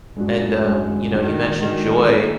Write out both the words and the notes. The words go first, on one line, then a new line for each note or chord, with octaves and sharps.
And, um, you know you mentioned joy
F#2 G#3 D4 F#4
G#3 D4 F#4
D#3 G#3 D4 F#4
D#3 G#3 D4 F#4
D#3 A#3 F4 G#4